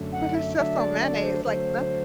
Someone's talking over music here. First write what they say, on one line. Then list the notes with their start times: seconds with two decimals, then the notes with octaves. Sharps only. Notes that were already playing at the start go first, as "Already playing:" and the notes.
But it's just on mayonnaise, it's like nothing.
Already playing: F#2 D3 A3
0.12 F#5
0.35 E5
0.57 D3 F#3 A3 D4 E5
0.79 D5
1.01 E5
1.05 D5
1.23 C5
1.45 D3 F#3 A3 C5